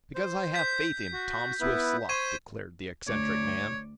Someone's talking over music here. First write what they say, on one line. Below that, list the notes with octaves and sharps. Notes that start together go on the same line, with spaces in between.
"Because I have faith in Tom Swift's luck!" declared the eccentric man.
C5
G6 B6
F#4
B3 E4 B4
C5 C6 C#6 G#6 D#7
D2 C#5 D5